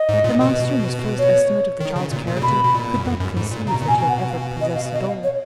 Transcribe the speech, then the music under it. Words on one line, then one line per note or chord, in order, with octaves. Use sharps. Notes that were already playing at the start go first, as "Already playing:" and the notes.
The master in his first estimate of the child's character could not conceive that she had ever possessed a doll.
Already playing: D#5
G#2
A#2
B2
C#5
D#3
C#3
A#2
A#2
C#3
B2 B5
B2
A#2
F#2
F2
F#2
G#2
A#2
C#3 A#5
B2
A#2
B2 G#5
B2 G#5
F#5
F5
D#5
F5
D#5
F5
C#5